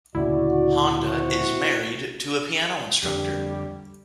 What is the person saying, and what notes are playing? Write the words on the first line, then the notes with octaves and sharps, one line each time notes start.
Honda is married to a piano instructor.
D2 A#2 C#3 E4 F#4 D5
C3 F3 F#4
F2 D3 G3 G4